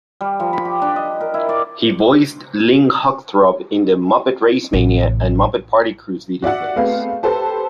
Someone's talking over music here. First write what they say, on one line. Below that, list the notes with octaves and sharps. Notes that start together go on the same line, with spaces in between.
He voiced Link Hogthrob in the "Muppet RaceMania" and "Muppet Party Cruise" video games.
G3
F3
B5
G4
D4
D#5
A#4
E4
D5
A1 C3
F#4 D5 E5 F#5
A3 B3 C4 G#4 B4 F5
G4 A4 B4 C5 A5